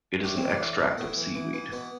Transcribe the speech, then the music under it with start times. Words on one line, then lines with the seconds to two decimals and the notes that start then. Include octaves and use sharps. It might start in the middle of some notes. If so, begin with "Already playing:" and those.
It is an extract of seaweed.
0.24 A2 D4
0.36 C4
0.41 E3
0.50 D4
0.61 A2
0.79 A2
0.98 A2 B3
1.17 E3
1.35 E3
1.53 E3
1.72 B2 B3